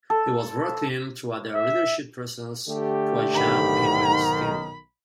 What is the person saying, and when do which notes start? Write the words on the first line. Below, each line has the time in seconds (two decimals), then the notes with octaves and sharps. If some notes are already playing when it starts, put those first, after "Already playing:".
He was brought in to add a leadership presence to a young Penguins team.
0.10 A4
1.55 E5
2.68 D3 A3 G4
3.34 B1 G#2 D#3 B5